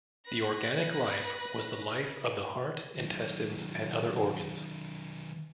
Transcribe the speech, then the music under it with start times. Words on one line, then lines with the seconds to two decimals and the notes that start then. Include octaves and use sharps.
The organic life was the life of the heart, intestines, and other organs.
0.25 B4 A#6
3.00 D#3 F#3